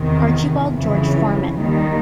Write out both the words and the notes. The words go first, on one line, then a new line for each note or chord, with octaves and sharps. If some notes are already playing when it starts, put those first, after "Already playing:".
Archibald George Forman.
Already playing: E2 C3 D#3
F2 C#3 E3
D#2 D#3 G3